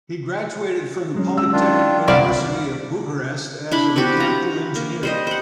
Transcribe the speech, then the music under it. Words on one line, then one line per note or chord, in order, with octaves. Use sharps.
He graduated from the Polytechnic University of Bucharest as a mechanical engineer.
F#3 G#3 C#4
E6
D#3 D4 F4
C2 E4 B4 D5 F5
D4 E4 B5
B3 C4 F#4 G4
B4 A#5
A#3
G3 C5 D#5
C5 F#5